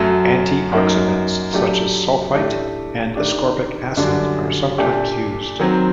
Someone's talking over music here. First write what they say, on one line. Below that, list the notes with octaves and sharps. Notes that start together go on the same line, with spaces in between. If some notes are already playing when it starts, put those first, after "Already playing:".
Antioxidants such as sulfite and ascorbic acid are sometimes used.
Already playing: F#2 F#3 A3
F#2 F#3 A#3 D#4
F#3 A3 D4 G4
A2 A3 D4 G4
D#3 A3 D4 G4
F#2 D3 G3 D4 F#4
A#2 A3 D4 G4
D#3 F#3 C4